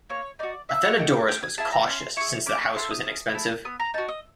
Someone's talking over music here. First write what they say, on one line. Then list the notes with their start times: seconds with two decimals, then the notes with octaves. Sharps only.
Athenodorus was cautious since the house was inexpensive.
0.10 A#3 C#5
0.39 D#4 F#4 D5
0.69 A#3 E5
0.84 F#5
0.99 D#4 F#4 G5
1.13 G5
1.28 C#4 G5
1.43 G#5
1.58 E4 G#4 A5
1.72 A#5
1.87 C#4 C6
2.16 E4 G#4 C#6
2.46 C#4 D6
2.62 C#6
2.76 E4 A4 C6
2.91 D#6
3.06 C#4
3.35 E4 A4
3.65 B3 D#6
3.80 A#5
3.94 D#4 F#4 A5
4.08 D#5